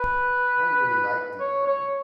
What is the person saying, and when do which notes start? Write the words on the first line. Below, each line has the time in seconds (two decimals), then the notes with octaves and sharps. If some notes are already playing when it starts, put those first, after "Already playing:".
I really like Deep Learning.
Already playing: B4
1.40 C#5
1.67 C#5